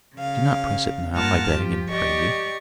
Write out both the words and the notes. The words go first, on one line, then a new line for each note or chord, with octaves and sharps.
'Do not press it now, I beg and pray you.
C#3 F5
G2 A#3 F4 F#5 A5 F6
F3 F4 G4
G4 D5 D#5 C#6